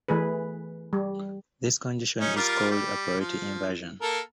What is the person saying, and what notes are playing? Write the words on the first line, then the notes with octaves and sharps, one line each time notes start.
This condition is called a priority inversion.
E3 A3 G#4 B4
G3
C#4 D#4
G3 F4 A#4
G3
F3
A#3 A4 A#4